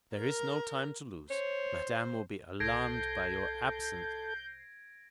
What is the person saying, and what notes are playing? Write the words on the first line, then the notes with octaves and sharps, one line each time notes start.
There is no time to lose. Madame will be alarmed by your absence.
A#4
C5 C#5
C2 A4 G6 G#6 A#6 C7 D7